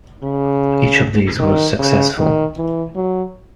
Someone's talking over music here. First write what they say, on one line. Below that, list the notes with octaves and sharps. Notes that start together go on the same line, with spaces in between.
Each of these was successful.
C#3
D#3
C#3
D#3
E3
F#3